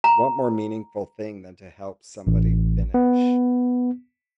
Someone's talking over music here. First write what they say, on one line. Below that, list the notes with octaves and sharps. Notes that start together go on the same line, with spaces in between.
what more meaningful thing than to help somebody finish
A#5
A1
B3